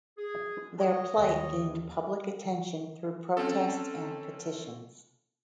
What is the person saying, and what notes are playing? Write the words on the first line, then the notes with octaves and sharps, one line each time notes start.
Their plight gained public attention through protests and petitions.
G#4
C#5 D#5
D#2
C4 C#4 A4